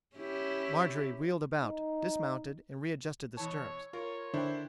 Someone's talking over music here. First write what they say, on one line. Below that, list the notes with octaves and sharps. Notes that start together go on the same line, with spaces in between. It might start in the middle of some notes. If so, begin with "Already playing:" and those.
Marjorie wheeled about, dismounted, and readjusted the stirrups.
C#4 E4 G4
D#4
B2 E3 C#5 A5
F4 A#4 C#5
D3 D4 E4 C5 G5